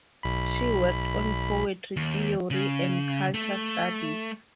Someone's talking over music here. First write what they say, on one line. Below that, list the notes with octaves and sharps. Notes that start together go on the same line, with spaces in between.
She worked on poetry theory and culture studies.
B1 B5
D#2
C#3
A3